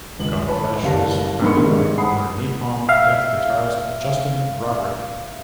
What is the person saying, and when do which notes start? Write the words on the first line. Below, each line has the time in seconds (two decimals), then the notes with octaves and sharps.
Godflesh was founded by former Napalm Death guitarist Justin Broadrick.
0.19 D#1 C#2 F#7
0.48 B4 C#5 A5
0.83 F#1 G3 F5 A5 A#6
1.42 G#2 A#4 B4 B5 C#6 C#7
1.56 G#2 C3 D#3 G3 G#3
1.98 F#5 B5 D#6 C7
2.89 E5 F5